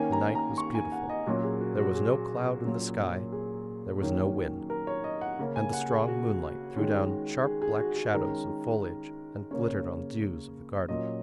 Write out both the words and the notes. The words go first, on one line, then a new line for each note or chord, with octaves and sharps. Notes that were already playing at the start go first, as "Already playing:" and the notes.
The night was beautiful: there was no cloud in the sky: there was no wind; and the strong moonlight threw down sharp black shadows of foliage, and glittered on the dews of the garden.
Already playing: D#3 A#3 C#4 G#5
A#5
A#5
C#6
G#5
F#5
D#5
A#2 F#3 A#3 C#4 F#4
G#4
F#4
F#4
G#4
A#2 F#3 A#3 C#4
G#4
D#3 F#3 A#3 C#4
A#4
C#5
D#5
F#5
C#3 A#3 C#4
G#5
F#5
G#4
F#4
D#3 G#3 C#4
G#4
G#4
F#4
G#4
D#3 G#3 C#4 A#4
C#3 A#3 C#4 C#5
A#2 F#3 C#4 D#5